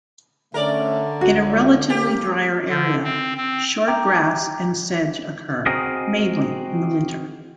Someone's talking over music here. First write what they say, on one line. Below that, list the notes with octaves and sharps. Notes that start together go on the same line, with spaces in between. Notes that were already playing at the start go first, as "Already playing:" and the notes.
In a relatively drier area, short grass and sedge occur, mainly in winter.
D3 A3 C#4 A#4 D5 E5
C#2 F#4
A#3 G4
D3
C4
C4
G5 A#5 D6
C4 F#4 G#4 A#4 D#5